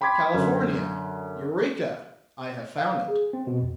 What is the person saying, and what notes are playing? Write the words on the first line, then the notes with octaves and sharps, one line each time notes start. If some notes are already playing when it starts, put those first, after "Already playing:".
California--Eureka: I have found it.
G5 B5 C6 D6 G#6 B6
F#2 D3
F5
G#4
C4
B2
F2